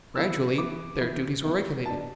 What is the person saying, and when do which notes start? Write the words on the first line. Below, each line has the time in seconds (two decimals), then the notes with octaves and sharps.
"GRADUALLY their duties were regulated."
0.16 E3 B3 E4 E6
0.58 E3 B3 E4 D6
1.01 E3 B3 E4
1.43 E3 B3 E4
1.86 B2 B3 D4 A5